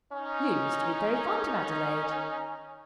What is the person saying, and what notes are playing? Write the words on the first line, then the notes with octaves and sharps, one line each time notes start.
"You used to be very fond of Adelaide."
C#4 D#4